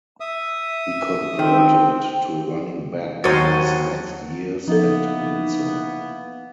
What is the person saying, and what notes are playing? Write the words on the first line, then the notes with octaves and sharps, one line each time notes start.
He converted to running back in his next years at Windsor.
E5 D#6
D#3 C4 G5
D#2 F#3 F#4 A#4 C5 C#5 D#5 A6
E3 F3 A#3 B3 D#4 A4